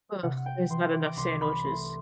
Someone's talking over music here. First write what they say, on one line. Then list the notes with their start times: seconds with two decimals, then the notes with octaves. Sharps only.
uh, there's not enough sandwiches
0.22 C3 F#5
0.46 G5
0.70 E3 C6
0.94 D6
1.06 D6
1.17 C2 C6
1.41 B5
1.64 A3 C6